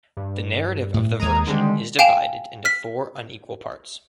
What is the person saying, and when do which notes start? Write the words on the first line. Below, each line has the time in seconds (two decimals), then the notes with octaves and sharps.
The narrative of the version is divided into four unequal parts.
0.17 G2
0.94 A2
1.20 D#2 G#3 A#5 D#6 G#6
1.47 D3 D#3 G3 G#3 C4
1.99 F5 G5 G#5 D7 E7 F7
2.65 F6 B6